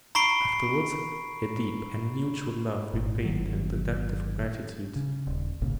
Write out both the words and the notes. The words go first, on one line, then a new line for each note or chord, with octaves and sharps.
Afterwards a deep and mutual love repaid him the debt of gratitude.
A#5 B5 C#6 C7 D7
G#1 A#2
G1 D#3 F#3
C#3
D#1
G1 C2 A#2 C#3